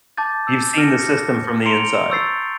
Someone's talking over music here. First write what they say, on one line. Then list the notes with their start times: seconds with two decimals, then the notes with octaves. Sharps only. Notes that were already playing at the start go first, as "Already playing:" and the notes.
You've seen the system from the inside.
0.18 A5 D6 G6 A6
0.47 E6 G6
0.78 F6 A#6 C#7
1.66 A#5 C6 C#7 D7 F7 G7
2.11 C#6 E6 G6 A6 C7